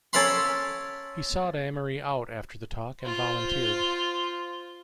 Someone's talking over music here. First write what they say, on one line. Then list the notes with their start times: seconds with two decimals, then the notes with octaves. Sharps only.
He sought Amory out after the talk and volunteered.
0.13 C#4 A4 A#4 F5 B5 C6
3.01 F4 C5